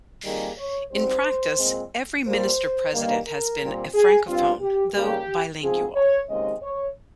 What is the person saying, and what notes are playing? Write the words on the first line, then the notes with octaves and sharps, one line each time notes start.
In practice every Minister-President has been a francophone, though bilingual.
F2 D#3 G3 A#3 G#4
C#5
G#2 G3 C4 C5
A#2 G#3 C4
A#2 G3 A#3 C5
G2 D#3 G3 A#3
A#4
A#2 G3 C4
G#4
G2 G3 C4 F4
G4
D#2 C#3 G3 A#3 G4
G#2 F3 C4 G#4
C#5
D#2 C#3 G#3 C4 D#5
C#5